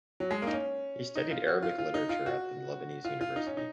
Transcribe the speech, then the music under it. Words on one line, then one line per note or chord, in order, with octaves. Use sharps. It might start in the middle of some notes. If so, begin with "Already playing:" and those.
He studied Arabic literature at the Lebanese University.
F#3
G#3
A#3 D#4
C#4
D#4
F4
F#4
F4
F4
D#4
F4
F#4
F4
F4
D#4
C#4
D#4